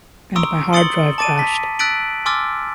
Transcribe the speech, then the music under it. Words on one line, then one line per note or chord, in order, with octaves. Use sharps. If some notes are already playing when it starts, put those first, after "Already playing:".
And my hard drive crashed.
A#5 C6 C#6 D#6 E6 D7
C6 D#6 A6 C#7 F#7 G7
A5 D6 A6 D7 D#7
A5 B6
E6 F#6 A6 B6 D7 F#7
G#5 C6 D6 E6 F6 A6